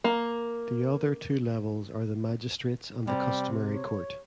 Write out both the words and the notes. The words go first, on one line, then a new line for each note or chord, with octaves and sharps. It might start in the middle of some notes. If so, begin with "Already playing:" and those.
The other two levels are the Magistrates and the Customary Court.
A#3
C3 G3
C#5